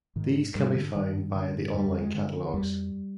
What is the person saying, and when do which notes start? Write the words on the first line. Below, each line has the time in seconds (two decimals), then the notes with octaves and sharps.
These can be found via the online catalogues.
0.16 G#2 D#3
0.55 G#2 G3
0.75 D3
0.95 G2 D#3
1.35 D3
1.74 F2 G3
2.01 G#3
2.14 D3
2.54 F2 G3